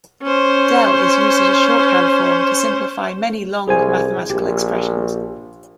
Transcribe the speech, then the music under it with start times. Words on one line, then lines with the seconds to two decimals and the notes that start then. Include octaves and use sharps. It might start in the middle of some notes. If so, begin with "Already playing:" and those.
Del is used as a shorthand form to simplify many long mathematical expressions.
0.23 C#4 C5
3.68 C2 G#4 C5 G#5
4.30 A#1 G4